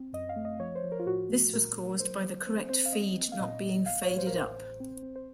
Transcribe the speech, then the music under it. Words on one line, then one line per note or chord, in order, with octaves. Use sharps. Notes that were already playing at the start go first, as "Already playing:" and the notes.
This was caused by the correct feed not being faded up.
Already playing: C4
F#2 D#5
F5
A3
D#5
F3 C#5
C5
F3
A#4
F4
A2 F#4
A3
A#2 A#4
A#2
F#3 C5
F#3
C4 C5
C4 C5
F5
C4 D#5
C4
F5
A#2 D#5
A#2
A1 F5
C#5
A2
C5
A#4
A1 C5
A1
C4
C4
C5